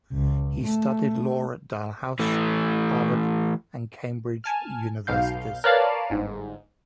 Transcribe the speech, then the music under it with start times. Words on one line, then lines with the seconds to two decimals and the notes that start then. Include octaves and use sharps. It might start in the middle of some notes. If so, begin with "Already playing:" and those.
He studied law at Dalhousie, Harvard and Cambridge Universities.
0.13 C#2
0.64 A3
2.19 E3 A3
4.44 G#5 A5 F6
5.07 B1 B2 F5 G6
5.64 A#4 B4 C#5 D5 F5 A5
6.10 G1 G#2